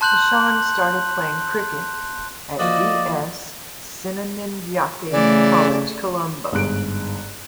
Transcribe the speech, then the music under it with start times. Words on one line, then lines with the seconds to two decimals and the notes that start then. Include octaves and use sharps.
Hashan started playing cricket at D. S. Senanayake College, Colombo.
0.01 A5 C6 F#6 G6 F#7
2.59 F3 A#3 F#4 D5 D#5
5.12 C#3 E3 A3 D5
6.52 G1 G#2 G#3 F#6 D7